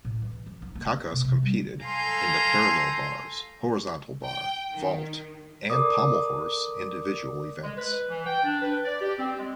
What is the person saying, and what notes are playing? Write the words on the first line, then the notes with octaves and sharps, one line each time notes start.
Kakas competed in the parallel bars, horizontal bar, vault, and pommel horse individual events.
A2
E3
F3
D#4
A#3
C3
C3
G3
A4 F5 G#5 A#5 C6 G6
G5
D#3
A4 A#4 D5 D6 D#6
G#3
B4
E3
G5
D4
B4
D5
G4
C4
G#3